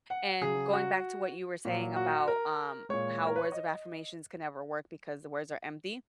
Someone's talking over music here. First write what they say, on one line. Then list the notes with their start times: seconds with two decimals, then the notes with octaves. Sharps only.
and going back to what you were saying about, um, how "Words of affirmations can never work because the words are empty,"
0.10 F#5
0.42 C#3 F#3 G#4
0.73 F#4
1.65 A#2
1.70 F#3
1.96 F#4
2.28 A#4
2.89 A#2 G#3 C#5
3.27 A#4
3.36 B4
3.44 C#5
3.52 D#5